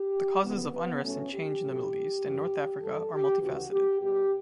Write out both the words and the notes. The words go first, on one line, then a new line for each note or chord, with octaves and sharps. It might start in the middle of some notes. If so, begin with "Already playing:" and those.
The causes of unrest and change in the Middle East and North Africa are multifaceted.
Already playing: G4
D2 C#3 E3 B3
B3
A2 F#3 A3 C#4
G4
A2 F#3 A3
F#2 E3 G3
G2 E3 G3 A4
G4
D2 C#3 E3 F#4
G4
B2 G3 G4